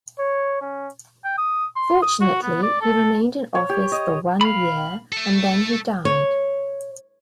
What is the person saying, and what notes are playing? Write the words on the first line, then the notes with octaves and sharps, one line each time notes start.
Fortunately, he remained in office for one year and then he died.
C#5
C#4
G5
D#6
C6
D#6
F#4
B3
D5
A4
C#5
G4
D#5
F5 B5
A3 A4
C#5